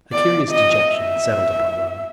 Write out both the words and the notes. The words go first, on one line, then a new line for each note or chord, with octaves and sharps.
A curious dejection settled upon Robin.
D5
D#5
E5